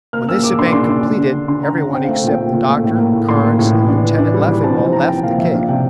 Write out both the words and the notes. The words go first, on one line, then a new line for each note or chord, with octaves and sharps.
When this had been completed, everyone except the doctor, Carnes, and Lieutenant Leffingwell left the cave.
A#3 F6
A#3 E6
A#3 D6
D4 C6
D6
D4 C6
D4
D3
D3
D3
D3 C6
D3 A#5
D3 A#5
C4 G5
F5
A3
F5
A#2 G5
A#2
A#2
A3
A2
A#3
A2
A2 C6
A#3
A2
E3
D4
E3
D4
G3
E3
C4 A5
F3 A5
C4 A#5
C4 G5
A#2 F5
F3 E5
D4 F5
C3 G5